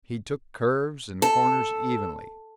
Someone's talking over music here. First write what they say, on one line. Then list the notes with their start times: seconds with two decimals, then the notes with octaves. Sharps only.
He took curves and corners evenly.
1.22 A4